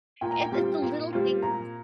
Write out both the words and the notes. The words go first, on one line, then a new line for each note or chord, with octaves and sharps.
It's it's the little things
A#2 G5
A#5
G5
G3 C4 F4
A#2
G3 C4 F4
A#2 A#5